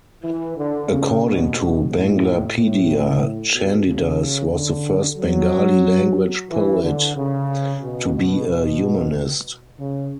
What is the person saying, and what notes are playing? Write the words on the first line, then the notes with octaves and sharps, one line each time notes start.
According to Banglapedia, Chandidas was the first Bengali-language poet to be a humanist.
E3
D3
C#3
B2
A2
A2
B2
C#3
D3
F#3
E3
D3
C#3
B2
B2
B2
C#3